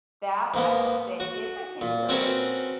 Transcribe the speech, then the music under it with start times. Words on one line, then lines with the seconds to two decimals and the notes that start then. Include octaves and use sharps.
that, I could say, is a hinder
0.54 G#2 A#3 B3
1.20 F#4
1.81 A#2
2.09 C4 C#4 F#4 G#4 A#4 B4